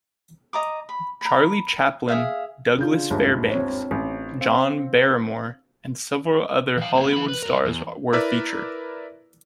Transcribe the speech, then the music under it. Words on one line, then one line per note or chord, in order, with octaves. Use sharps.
Charlie Chaplin, Douglas Fairbanks, John Barrymore, and several other Hollywood stars were featured.
D#5 A#5 D6
B5
A#5 B5
G#4 E5 F5
C#3 D4 F4 G6
G1 D#2 G#2
C4 C#5
A1
C4 F5
E3 F5
A#3 C4
E3 B5
B4
A#4 C#5
E2
E4 A#4 B4 D5 E5